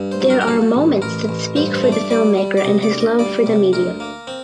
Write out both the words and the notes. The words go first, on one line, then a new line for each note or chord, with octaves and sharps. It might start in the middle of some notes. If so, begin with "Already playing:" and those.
There are moments that speak for the filmmaker and his love for the medium.
Already playing: G2
C5
F#3
A#4
A#4
F#3 A4
A1
A1 A#4
A1
G2 C5
C5
A3
D5
G3 D5
G3
D5
C3 D#5
D5
D2
D#5
G3 D5
C3
D2 A#4
A#3
C4